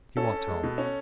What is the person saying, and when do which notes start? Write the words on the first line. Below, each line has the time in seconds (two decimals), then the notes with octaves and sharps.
She walked home.
0.17 C#4 A4
0.33 C#4
0.47 G#3
0.63 B2
0.78 C#4